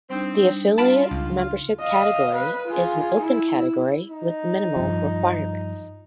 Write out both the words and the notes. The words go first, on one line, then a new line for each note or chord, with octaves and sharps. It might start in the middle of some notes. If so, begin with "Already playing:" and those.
The Affiliate membership category is an open category with minimal requirements.
G3 C4 D4 D#4
F4 A5 B5 D7
C#2
D#5 F5
B4
F4 G#4
E4
D#4
G2 F3